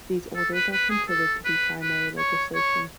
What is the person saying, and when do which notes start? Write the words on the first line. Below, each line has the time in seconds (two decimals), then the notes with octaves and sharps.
These orders are considered to be primary legislation.
0.36 A4
0.54 B4
0.72 B4
0.90 G#4
1.08 A4
1.45 B4
1.82 B4
2.18 C#5
2.55 C#5